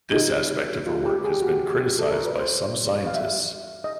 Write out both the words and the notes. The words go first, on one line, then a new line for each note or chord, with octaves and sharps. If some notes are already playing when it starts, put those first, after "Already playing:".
This aspect of her work has been criticized by some scientists.
D#4
F4
G4
G#4
G4
F#4
G4
A4
A#4
B4
C5
F5
E5
D#5